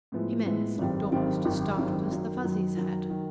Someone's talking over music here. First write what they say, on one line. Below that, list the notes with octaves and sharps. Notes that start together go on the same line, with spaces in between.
Jimenez looked almost as startled as the Fuzzies had.
A2 F3 G#3 B3 E4
A2 F3 G#3 B3 E4
G#1 F#2 D#3 G3 C4
G#1 F#2 D#3 G3 C4
G#1 F#2 D#3 G3 C4
G#1 F#2 D#3 G3 C4
F#2 D#3 F#3
F#2 D#3 F#3
F#2 D#3 F#3
D#3 F#3